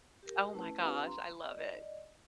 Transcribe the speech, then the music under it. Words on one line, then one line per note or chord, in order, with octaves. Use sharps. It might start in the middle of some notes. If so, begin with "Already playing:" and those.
Oh my gosh, I love it.
G4 A#4
A3 C#4 E4 B4 A5
C4 D4 F4 G4 B4 F5
A#5 C6
D5 D#5